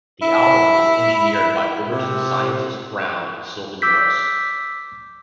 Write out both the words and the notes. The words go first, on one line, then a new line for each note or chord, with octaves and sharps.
The album was engineered by Overton "Scientist" Brown and Sylvan Morris.
E4
C3
D6 E6 G6 B6